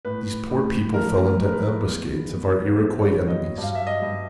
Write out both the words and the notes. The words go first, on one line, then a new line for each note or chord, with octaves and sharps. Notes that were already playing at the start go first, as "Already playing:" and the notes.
These poor people fell into ambuscades of our Iroquois enemies.
A2 B4
A2
F3 A#4
A#4
G#3
A#4
B4
E2
E2
B4
B2 C5
C#5
F#3
D#5
G2 F5
E5
D#5
G2